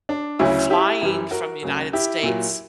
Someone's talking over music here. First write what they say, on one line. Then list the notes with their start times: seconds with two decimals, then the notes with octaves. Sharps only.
flying from the United States
0.09 D4
0.39 D2 C#3 F#3 C#4 E4
0.70 E4 G4
1.01 F#2 E3 G3
1.31 F#4 A#4
1.63 D2 C#3 F#3
1.93 E4 G4
2.23 A#2 F#3